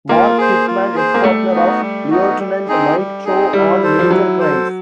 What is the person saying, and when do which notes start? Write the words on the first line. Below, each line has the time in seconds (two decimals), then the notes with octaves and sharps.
Mark Hickman, ex-partner of Lieutenant Mike Tao on "Major Crimes".
0.09 A#3 F4
0.38 G#4 C5
0.67 F4
0.95 G#4 C5
1.14 A#3
1.23 G3 A3
1.52 B3 D#4 F#4
1.81 G3
2.10 B3 D#4 F#4
2.39 G3
2.68 C4 D#4 G#4
2.96 G3
3.25 C4 D#4 G#4
3.53 G3 E4
3.83 A4 C5
3.99 F3
4.10 F#3 E4
4.40 A4 C5